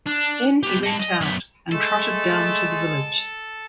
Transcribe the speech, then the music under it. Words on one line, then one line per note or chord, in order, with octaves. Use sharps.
Then he went out, and trotted down the village.
D4
B3 G4
D#5 A5
D#5
F#2 B3
G#3 A3 A4